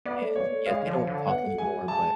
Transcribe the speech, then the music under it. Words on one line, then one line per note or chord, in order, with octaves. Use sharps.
and yeah, they don't talk anymore, but,
B3 D5
A3
B3 C#5
A3
G#3 F5
D3
F3
D3
B3 F#5
A3
G#3 G#5
F#3
G#3 A5